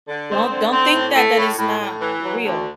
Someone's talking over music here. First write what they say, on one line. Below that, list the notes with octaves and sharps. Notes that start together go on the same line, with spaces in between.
don't don't think that that it's not real.
D3
C4
D3
C4
A2
A3
A2
A2
A2
E3
F#3
D2